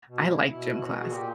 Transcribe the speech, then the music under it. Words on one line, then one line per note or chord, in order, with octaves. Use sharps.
I like gym class,
B2
E4
B2 E4
F#4
G#4
A#2 G4